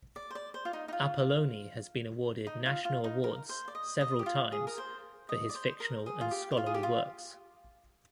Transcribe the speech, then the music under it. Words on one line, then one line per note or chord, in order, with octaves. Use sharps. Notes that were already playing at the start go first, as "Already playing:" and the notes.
Apolloni has been awarded national awards several times for his fictional and scholarly works.
D5
C5
D5
C5
F4
D#4
D#4
F4
D#4
F4
F4
D#4
A#4
C5
D5
D#5
D#5
G4
F4
G#4
A#4
C5
D#5
D5
C5
A#4
G#4
F4
G4
G4
F4
G#4
G4
F4